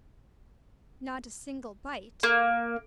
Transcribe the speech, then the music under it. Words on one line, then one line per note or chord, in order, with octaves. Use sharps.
Not a single bite.
A#3